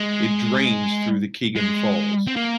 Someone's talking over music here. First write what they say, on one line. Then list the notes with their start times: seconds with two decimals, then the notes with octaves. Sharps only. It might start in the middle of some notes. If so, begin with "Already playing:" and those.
It drains through the Kegon Falls.
Already playing: G#3
1.56 G#3
2.27 C4
2.36 A#3